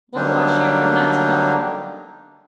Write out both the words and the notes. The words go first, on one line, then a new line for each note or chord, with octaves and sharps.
Won't wash here for nuts nohow.
D3 F#3 G3 A#3 D4 D#4